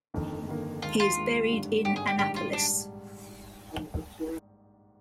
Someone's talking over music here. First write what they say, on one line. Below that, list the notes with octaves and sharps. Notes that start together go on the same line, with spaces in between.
He is buried in Annapolis.
G1 F2 D#3 A#3
G1 F2 D#3 A#3
D#2 D#3 G#3 F4
F4
D#2 D#3 G#3
G#1 G2 D3 G3
G#1 G2 D3 G3 G4
G#4
G4
A#1 G#2 D#3 G3 G4
F4
D4